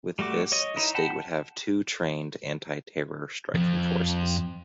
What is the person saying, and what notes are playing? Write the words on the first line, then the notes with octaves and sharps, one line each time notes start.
With this, the state would have two trained anti-terror striking forces.
G3 A3 F#4 D6
C#5 D#5 D#6
D#4 E4 D#5
F#5 G5 A5 B5
F2 F3